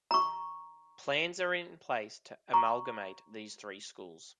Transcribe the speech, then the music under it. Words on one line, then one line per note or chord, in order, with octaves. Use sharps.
Plans are in place to amalgamate these three schools.
A#5 C#6
A#5 C#6